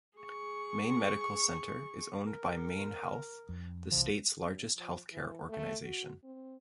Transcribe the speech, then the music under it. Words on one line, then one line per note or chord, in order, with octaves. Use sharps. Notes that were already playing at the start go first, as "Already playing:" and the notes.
Maine Medical Center is owned by MaineHealth, the state's largest healthcare organization.
G#4 C#6
A#4
F2
B1 C3 E3 F3
F#2
F3
E3
A3
F#4
C4